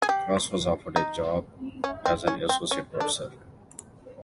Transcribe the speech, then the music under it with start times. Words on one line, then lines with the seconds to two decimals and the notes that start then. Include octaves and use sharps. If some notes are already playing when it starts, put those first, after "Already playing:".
Cross was offered a job as an associate professor.
0.02 G#4
0.09 G4
0.96 D#4
1.84 C#4
2.05 C4
2.28 C#4
2.49 C4
2.71 C#4
3.00 D4